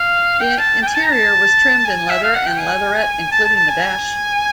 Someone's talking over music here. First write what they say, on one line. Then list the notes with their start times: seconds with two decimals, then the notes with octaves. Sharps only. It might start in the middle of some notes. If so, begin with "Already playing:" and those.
The interior was trimmed in leather and leatherette, including the dash.
Already playing: F5
0.40 G5
0.58 A5
0.82 G5
0.86 G#5
0.95 A5
1.04 A#5
1.13 A5
1.86 G#5
2.10 E5
2.22 F5
2.35 F#5
2.46 G5
2.59 G#5
3.31 A5
3.44 A5
3.55 A5
3.69 G#5